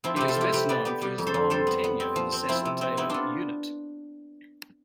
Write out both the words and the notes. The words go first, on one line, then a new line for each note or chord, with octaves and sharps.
He is best known for his long tenure in the Cecil Taylor Unit.
F3 C4 E4
C3 G4 B4
F4 A4
F3 E4 G4
C3 G4 B4
B3 B4 D5
B3 G4 B4
G3 G4 B4
F2
A4 C5
F2
G3 A4 C5
B3
B3
C4
F3
C4
F3 C4 E4
C3
C4
B3 C4 E4
B3 D4 F4